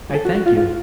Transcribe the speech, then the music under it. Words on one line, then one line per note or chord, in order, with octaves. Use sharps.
'I thank you.
G#4
A4
F#4
F#4
F4
F4